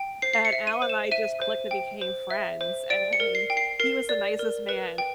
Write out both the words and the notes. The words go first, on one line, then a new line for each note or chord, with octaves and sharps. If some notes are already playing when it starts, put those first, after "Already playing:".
and Alan and I just clicked and became friends, and he was the nicest man
Already playing: G5
C5 C7
C7
C#7
E5
D#7
C5
E7
E5 D#7
C5
G5
C5
E5
C5
D5 D7
C#7
A#4
C7
G5
C7
A#4 C7
D5
A#4
B4
G5